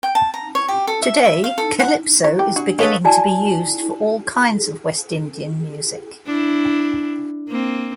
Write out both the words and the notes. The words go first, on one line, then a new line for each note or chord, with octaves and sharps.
Today, 'calypso' is beginning to be used for all kinds of West Indian music.
G5
A5
A#5
C#5
G4
A4
E5
E5
F5
A4
F#5
E4 C#5
G4
D4 F#4
G#3 A4 B4 C#5 F5 F#5 D#6
E4 F#4 D5 G#5 A5
D4 E4
A#3 C4